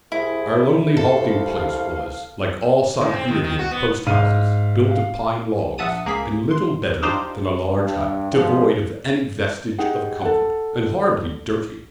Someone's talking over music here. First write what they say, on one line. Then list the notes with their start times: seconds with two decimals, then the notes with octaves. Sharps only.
Our lonely halting-place was, like all Siberian post-houses, built of pine logs, and little better than a large hut, devoid of any vestige of comfort, and horribly dirty.
0.12 C2 E4 G#4
0.97 C2 A4 F5
3.01 C#3
3.14 C4
3.28 D#3
3.44 D#3
3.59 F#4
3.71 B3
4.06 G#2 F5 F6 D#7
4.91 F5
5.78 A#1 E5 F#5 A5 D#6 D#7
6.06 C#2 A#3 G#4 F5 B6
6.51 C6
7.02 D4 D#4 F4 G4 C5
7.77 G2
8.32 B1 G#2 C#3 F3
9.78 D#4 G4 G#4 F#5
10.22 A4 F#5